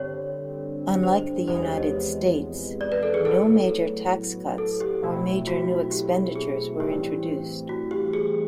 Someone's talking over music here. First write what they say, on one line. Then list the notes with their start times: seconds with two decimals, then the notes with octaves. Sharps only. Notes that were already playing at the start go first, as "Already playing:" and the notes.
Unlike the United States no major tax cuts or major new expenditures were introduced.
Already playing: G2 D3 G3 C4 C#5
1.03 C5
1.47 E2 C3 F3 G#3 B3 C5
1.62 C#5
1.77 D#5
2.81 D5
2.92 B4
3.03 A4
3.14 G#4
3.25 A2 F#3 B3 A4
4.58 A4
4.80 G4
5.02 B2 F#3 A3 C4 E4
5.47 F#4
5.91 G4
6.36 G#4
6.80 A2 E3 G3 C4 G4
7.69 F#4
7.91 G4
8.13 G#4